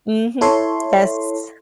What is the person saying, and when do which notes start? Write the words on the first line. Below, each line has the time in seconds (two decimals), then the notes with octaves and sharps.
Mhm. Yes.
0.41 E4 A4 C#5 C6